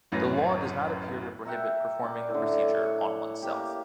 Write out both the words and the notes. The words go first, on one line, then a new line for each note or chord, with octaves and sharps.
The law does not appear to prohibit performing the procedure on one's self.
A1 F#2 A2 C#4 B4 A#6
A#4 E5 F#5 G5
A#4 D5
A2 D3
C#5 D5
F#5
A#3 G4